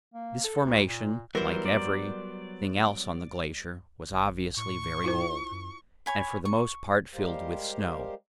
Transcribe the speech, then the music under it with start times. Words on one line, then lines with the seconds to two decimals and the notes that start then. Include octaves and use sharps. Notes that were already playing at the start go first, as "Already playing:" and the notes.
This formation -- like every -- thing else on the glacier-was obviously very old, and for the most part filled with snow.
0.14 A#3
0.44 A4
0.65 D2
0.88 A#2
1.35 E3 F#3 G3 B3 A#4 C5
1.66 D5
4.11 G1
4.56 A2 C#6
5.04 E4 F4 C5
5.51 F#2
6.06 C#5 G#5 B5
6.45 C#6
7.14 G3 G#3 G4 A#4 C5 F5